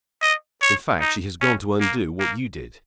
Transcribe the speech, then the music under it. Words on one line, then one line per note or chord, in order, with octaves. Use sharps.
In fact she has gone to undo what you did.
D#5
C#5
D#4
C#4
A#3
A#3